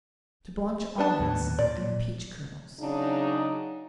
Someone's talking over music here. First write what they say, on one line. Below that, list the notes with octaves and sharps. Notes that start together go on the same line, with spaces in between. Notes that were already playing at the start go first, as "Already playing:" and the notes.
To Blanch Almonds and Peach Kernels.
B3 D4 A5
D#2 A2
A#2 D5
C#3 F#3 D4 D#4